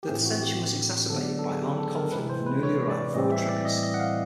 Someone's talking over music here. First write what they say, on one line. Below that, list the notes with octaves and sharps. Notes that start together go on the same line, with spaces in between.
Their dissension was exacerbated by armed conflict with the newly arrived Voortrekkers.
G4
A2 E3 A3 C4 G#4
F#4
G4
D3 F#3 B3 A4
D5
A4
G#4
G4
A4
A#4
C3 E3 G#3 C4 B4
C5
B4
C#5
D5
A2 E3 G3 C4 D#5
E5
D5
D#5
D#5
F#5
F5